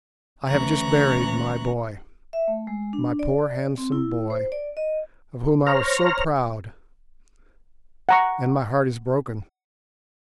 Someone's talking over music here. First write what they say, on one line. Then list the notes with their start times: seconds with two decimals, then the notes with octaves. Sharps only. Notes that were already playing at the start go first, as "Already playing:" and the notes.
'I have just buried my boy, my poor handsome boy of whom I was so proud, and my heart is broken.
0.47 D2 E3 C#4 A#5 C#6 F#6
2.33 E5
2.48 A3
2.67 G#3
2.93 D4
3.19 D5
3.78 C4
3.92 E4
4.30 C5
4.52 D5
4.77 D#5
5.67 C5 C#5 A#5 F6
8.09 F#5 A#5 C#6